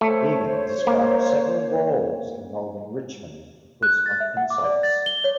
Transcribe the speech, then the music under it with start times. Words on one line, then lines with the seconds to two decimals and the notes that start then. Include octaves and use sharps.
Egan described several brawls involving Richmond because of insults.
0.01 A3 C5 C#5
0.87 A#3
3.83 F#6
4.06 A6
4.20 E5
4.37 F#5
4.50 D6
4.64 D5
4.83 A6
5.06 G7
5.24 C#5